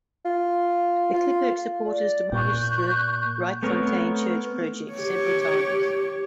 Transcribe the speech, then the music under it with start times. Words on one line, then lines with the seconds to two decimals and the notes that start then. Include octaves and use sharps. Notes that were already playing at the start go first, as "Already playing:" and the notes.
The Klipkerk supporters demolished the Rietfontein Church project several times.
0.25 F4
1.13 F4
1.85 D5
2.32 A#2 C#6 F#6 G6
3.63 A3 B3 C4 A#4 C#5
4.93 G4 C#5